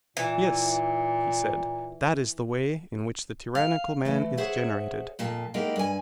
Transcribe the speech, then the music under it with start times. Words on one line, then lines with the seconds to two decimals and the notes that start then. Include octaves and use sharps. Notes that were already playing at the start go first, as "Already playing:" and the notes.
Yes, he said, that is the way in which the tyrannical man is generated.
0.17 A#2 E3
3.55 F5
4.05 E3 A3
4.37 G#4 C5 C#5 E5 F#5
5.19 F2 A#2 A5
5.54 G#3 A#3 D#4 E4 F#4 G4
5.76 G2 G#5